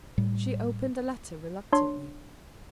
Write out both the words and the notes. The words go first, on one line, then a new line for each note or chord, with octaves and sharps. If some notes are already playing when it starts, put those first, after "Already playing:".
She opened the letter reluctantly.
A2 G3
D4 C#5 C6